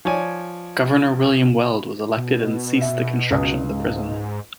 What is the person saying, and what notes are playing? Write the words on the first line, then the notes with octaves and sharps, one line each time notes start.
Governor William Weld was elected and ceased the construction of the prison.
F3 C#5 D5 G#5
B2
E5
C#2 D#6
G#2